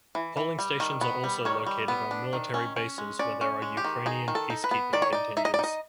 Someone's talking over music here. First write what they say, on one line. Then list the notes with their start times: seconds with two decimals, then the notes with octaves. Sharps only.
Polling stations are also located on military bases where there are Ukrainian peacekeeping contingents.
0.15 E3
0.37 E3
0.59 G3
0.80 D#3
1.01 B3
1.24 G3
1.45 D#3 C#5
1.66 G3
1.88 B3
2.11 D4
2.33 D#3
2.54 C#4
2.76 C#4
2.98 G#3
3.19 C#4 D5
3.41 C#4
3.62 G#3
3.77 G4
3.84 D#3
4.06 D#4 G#4
4.28 D#3
4.35 A4
4.50 D#4
4.64 B4
4.71 B3
4.93 D#3 D5
5.02 C#5
5.13 D#4 D5
5.37 D#4 E5
5.45 D#5
5.54 D5
5.59 D#4 D#5